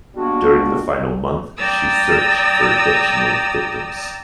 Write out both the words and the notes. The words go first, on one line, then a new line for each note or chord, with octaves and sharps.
During the final month she searched for additional victims.
G3 G#3 A#3 B3 D4 F#4
D5 G5 A#5 D#6 E6 A6